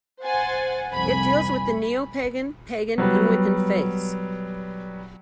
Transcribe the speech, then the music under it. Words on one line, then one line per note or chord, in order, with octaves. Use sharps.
It deals with the Neopagan, Pagan, and Wiccan faiths.
C5 F#5 G#5 A6
C2 F2 G#5 B5
F#3 G3 B3